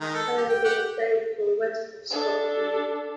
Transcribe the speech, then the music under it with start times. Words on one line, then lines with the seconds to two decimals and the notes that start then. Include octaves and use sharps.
Turnbull played for West of Scotland.
0.01 D#3 G#3 A#4
0.14 A4
0.38 G4
0.49 G5
0.64 G4 F#5 G5
2.11 D4 A4